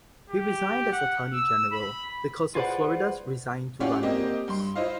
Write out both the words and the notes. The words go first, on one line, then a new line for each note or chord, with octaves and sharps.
He resigned as Attorney General because of Florida's resign-to-run laws.
G4
F#5
E6
B5
F4 G#4 B4 C5 D5 F#5
C#4 F4 G4 C#5 D5 F#5
A#3 C4 G4 D#5
G2 C6
E4 F4 C5 D#5 F5